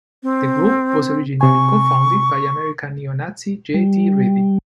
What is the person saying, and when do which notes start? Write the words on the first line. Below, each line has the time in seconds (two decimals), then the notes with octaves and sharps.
The group was originally co-founded by American neo-Nazi, J. T. Ready.
0.23 C4
1.41 C3 G#5 C#6
3.74 G3